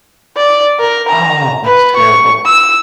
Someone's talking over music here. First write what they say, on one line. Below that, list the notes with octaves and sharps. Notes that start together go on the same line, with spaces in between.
Oh, that's terrible.
D5
A#4
A#5
B4
C#6
E6